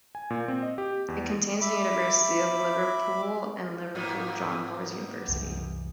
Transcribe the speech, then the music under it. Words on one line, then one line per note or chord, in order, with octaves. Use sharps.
It contains the University of Liverpool and Liverpool John Moores University.
G#5
A#2
C4
D#5
G4
E2
E5 B5 D6
G#2 A#3 B3
C2 F#2 E3